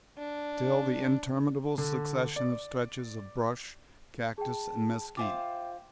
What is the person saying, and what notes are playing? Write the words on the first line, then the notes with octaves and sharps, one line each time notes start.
Still the interminable succession of stretches of brush, cactus, and mesquite.
D4
D3
D5
G#4 G5 A5
F4 C5 E5 F5 G5 G#5 D6